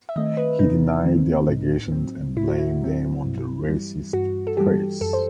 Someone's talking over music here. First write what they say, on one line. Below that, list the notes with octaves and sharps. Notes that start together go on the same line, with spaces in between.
He denied the allegations and blamed them on the racist press.
E5
D#3 A3 C4 D#5
B4
C3 D#4
D#3 A3 C4
A2
F#3 C4
A2 E4
F#4
E4
F#3 C4
G2
E3 G3
G2 F#4
A4
E3 G3 G4
F#2 A4
C5